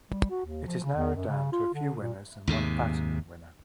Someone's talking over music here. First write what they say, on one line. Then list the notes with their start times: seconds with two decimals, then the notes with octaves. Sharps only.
It is narrowed down to a few winners and one Platinum winner.
0.11 G3
0.30 F#4
0.45 D#2
0.66 F3
0.83 C#3
0.96 E2
1.15 F#2
1.28 C#3
1.52 F4
1.74 D3
2.01 A#2
2.47 D#2 G#2 C3